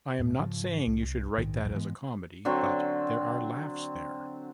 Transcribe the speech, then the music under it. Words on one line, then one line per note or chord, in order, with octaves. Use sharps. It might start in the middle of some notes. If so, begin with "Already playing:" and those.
I am not saying you should write that as a comedy, but there are laughs there"".
D#1 A2 A3
G#2 C#3 F3
C2
A#1 G#2 D#3
B1 E2 A2 F#3
G#2 E3 G#3 B3
D3 F#3 C4 C#6